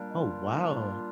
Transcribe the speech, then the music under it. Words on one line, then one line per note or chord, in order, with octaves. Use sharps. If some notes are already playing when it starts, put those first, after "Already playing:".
Oh, wow.
Already playing: A#2 G3 A#3 D4
D#4
F4
D#4
F4